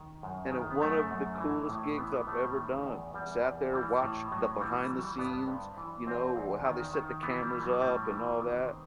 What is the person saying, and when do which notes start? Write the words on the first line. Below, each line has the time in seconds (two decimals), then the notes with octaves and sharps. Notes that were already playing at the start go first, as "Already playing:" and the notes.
and one of the coolest gigs I've ever done, sat there, watched the behind the scenes, you know, how they set the cameras up and all that.
Already playing: D#3
0.23 F#2
0.52 D#3
0.70 B3
0.81 F#2 A3
1.11 F#2
1.40 E3
1.69 A2
1.98 E3 B3
2.12 B3
2.27 A2 A3
2.42 G3
2.56 D#3
2.85 E2
3.14 E2 G3
3.44 E2
3.73 E3 G3
4.02 A2
4.31 A2 F#3
4.60 E3 G3
4.90 E3 F#3
5.04 G3
5.18 G2 B3
5.33 B3
5.48 G2 C4
5.77 E3
6.06 E2 C4
6.36 E2
6.65 D#3
6.94 D#3
7.23 E3 B3
7.42 G3
7.52 E3
7.62 F#3
7.81 A2 G3
8.11 E3
8.39 D#3 B3
8.58 C4